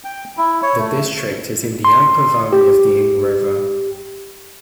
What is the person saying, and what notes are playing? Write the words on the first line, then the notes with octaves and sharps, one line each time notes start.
The district is in the upper valley of the Ing River.
G5
E4
C#5
A3
C6
G4